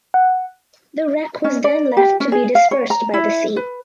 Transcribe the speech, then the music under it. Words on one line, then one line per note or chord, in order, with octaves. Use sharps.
The wreck was then left to be dispersed by the sea.
F#5
C#4
D5
G4
C#4
G#4
F5
C#5
A#5
E4
B4